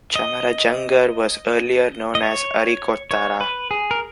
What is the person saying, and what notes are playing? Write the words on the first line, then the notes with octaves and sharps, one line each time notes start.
Chamarajanagar was earlier known as Arikottara.
D#5
D#5
C#5
C#5
B4
G#4
A#4